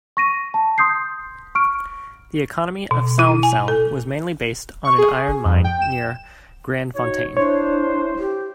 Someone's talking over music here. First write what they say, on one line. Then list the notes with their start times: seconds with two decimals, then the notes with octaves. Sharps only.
The economy of Salm-Salm was mainly based on an iron mine near Grandfontaine.
0.17 C#6 A#6 D#7
0.54 A5
0.78 C6 D#6 G6 C7
1.55 C#6 F6 D7
2.91 B2
3.19 E4
3.43 G#5
3.68 A4
4.85 C#6
4.98 G#4
5.45 F2
5.64 G5
5.82 E7
6.95 D#4 F#4 C#5
7.37 D4 E4 C5 C#5
8.19 G4